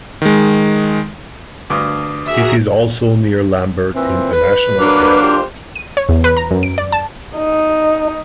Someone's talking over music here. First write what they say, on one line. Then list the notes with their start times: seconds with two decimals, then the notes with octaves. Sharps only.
It is also near Lambert International Airport.
0.22 D#3 G#3
1.70 D2 G2 D6 D#6
2.25 F#4 G#4 A#4 E5
3.95 A#2 E3 C4
4.32 B4
4.79 F#3 A#3 D4
5.21 F4 G4 C5
5.76 D#7
5.97 C#5
6.09 E2
6.24 B4
6.37 A#5
6.51 F#2
6.63 D7
6.78 D5
6.92 A5
7.37 D#4